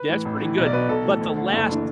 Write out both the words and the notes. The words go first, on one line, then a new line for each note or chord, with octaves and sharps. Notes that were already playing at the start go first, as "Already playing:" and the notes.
Yeah, it's pretty good, but the last
Already playing: B4
A2 E3
A1
A2 E3
B1
D5
B2 B4
B1 A4
A2 E3
D2
D3
F#1 A3
E3 D4